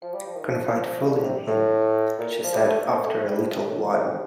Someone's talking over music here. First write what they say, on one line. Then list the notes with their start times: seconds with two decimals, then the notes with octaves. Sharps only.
"Confide fully in him," she said after a little while.
0.03 F3
0.14 G3
0.26 F3
0.35 D#3
0.46 F3
1.02 D#3
1.10 D3
1.22 C3
1.47 A2
2.19 A#2
2.43 F3
2.55 G3
2.66 A3
2.84 A#3
2.91 C4
3.04 A3
3.16 A3
3.27 G3
3.40 F3
3.51 C3
3.63 A2
3.76 A#2
3.88 C3
4.00 C3